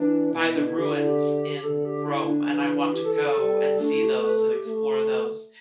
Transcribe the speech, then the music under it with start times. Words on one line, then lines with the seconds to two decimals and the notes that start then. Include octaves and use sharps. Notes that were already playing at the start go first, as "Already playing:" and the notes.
by the ruins in Rome, and I want to go and see those and explore those.
Already playing: E3 D4
0.33 B2 E4
0.44 E4
0.55 D4
0.66 E4
0.77 D3 G4
0.91 E4
1.05 G4
1.63 D3 A4
1.85 G4
2.07 E4
2.28 D4
2.49 E3
2.93 G4
3.04 A4
3.15 A4
3.26 A4
3.37 G3
3.80 A3 D4
3.91 E4
4.02 G4
4.12 A4
4.23 B4
4.37 A4
4.51 G4
4.66 A3